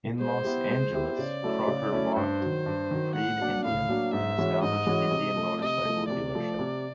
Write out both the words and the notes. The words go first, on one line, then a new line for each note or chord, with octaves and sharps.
In Los Angeles, Crocker bought Freed Indian, an established Indian Motorcycle dealership.
G#3 C5
B3 E4 G4
G#3
B3 E4 G4
C#3 D5
F#3 A3 C#4 E4
C#3
F#3 A3 C#4 E4
G2 C5
F#3
D#3
G2
D#3 F#3
A2 F#5
F#3 A#3 D4
A2 F5
F#3 A#3 D4
G#2 E5
E3 G#3 C#4 F#4
G#2 D#5
E3 G#3 C#4 F#4
C3
F3 A3
C3 D#5
F3 A3
C3 D5
F3 A3
C3